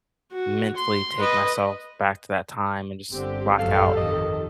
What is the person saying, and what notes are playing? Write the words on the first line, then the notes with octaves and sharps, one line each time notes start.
mentally take myself back to that time and just block out
F#4
C6
B4 D#5
G1 D3 C4 G4
A1 F#2 F#3 G4 A4 F5
F2 D#3 D#5